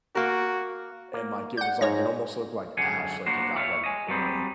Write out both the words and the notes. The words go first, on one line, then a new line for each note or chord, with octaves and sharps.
and, like, it was like, it almost looked like ash, like it got, like, burned,
A#3 F#4 A#4
A#3
D5 F#5 G6
G#2 C#5 A#6
F#2 D3 G#4 F#5 G#5
A#3 D4 F#4 C5
E4 C#5 F5
D#5 G#5
F#3 G3 C4 G#4